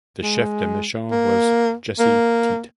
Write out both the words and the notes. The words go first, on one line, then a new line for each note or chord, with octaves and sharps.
The chef de mission was Jesse Teat.
G#3
A#3
A#3